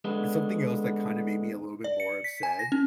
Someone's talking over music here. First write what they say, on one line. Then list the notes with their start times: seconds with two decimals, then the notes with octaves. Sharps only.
and something else that kinda made me a little bit more upset,
0.05 D3 G#3 B3
1.84 D5
2.00 C#7
2.24 B6
2.43 G#5
2.59 A#6
2.72 C#4